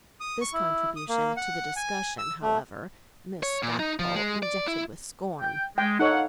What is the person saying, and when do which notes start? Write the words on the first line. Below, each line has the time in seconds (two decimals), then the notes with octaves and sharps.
This contribution to the discussion, however, Miss Stackpole rejected with scorn.
0.20 D#6
0.41 C#6
0.53 E4
0.96 D#6
1.09 A#3
1.36 F#5
1.76 G#5
2.18 E6
2.42 A3
3.43 C#5
3.63 A#2
3.79 D#4
3.99 F3
4.16 G#3
4.43 D5
4.68 E4
5.41 G5
5.78 G#3 G5
5.99 D#4 A4 C#5 F#5
6.13 F5